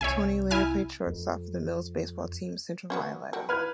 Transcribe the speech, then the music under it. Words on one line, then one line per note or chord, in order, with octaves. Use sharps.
Tony later played shortstop for the Mill's baseball team, Central Violeta.
C2 C#5 E5 G#5
E4 G#5 F6
F2
C#4 F#4 B4
F#4 G4
B4 F6 G#6